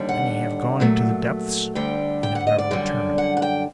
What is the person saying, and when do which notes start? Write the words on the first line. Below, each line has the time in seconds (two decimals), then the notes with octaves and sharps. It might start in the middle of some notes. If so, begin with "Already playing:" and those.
Many have gone into the depths and have never returned....
Already playing: D#2 D3 G3
0.09 F#5
0.80 A#2 F#3 A3
1.75 D2 D3 G3 G5
2.23 G5
2.35 F#5
2.47 D#5
2.58 D5
2.71 F#2 D3 G3
3.18 F#5
3.37 F#5
3.42 G5